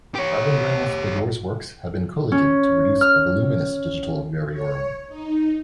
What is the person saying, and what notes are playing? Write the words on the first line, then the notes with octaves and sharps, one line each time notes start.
Rabindranath Tagore's works have been collated to produce a voluminous digital variorum.
G4 C#5
C#4
F6
C#5
D#4